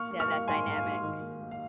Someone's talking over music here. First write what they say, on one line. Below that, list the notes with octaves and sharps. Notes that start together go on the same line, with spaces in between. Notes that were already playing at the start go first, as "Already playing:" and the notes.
Yeah, that dynamic.
Already playing: A#3 C#6 F6
A#3
C#6 F6
A#3
G#2 G#5 C6
G#2
F5
G#2
D#3
A#3
A#3
F5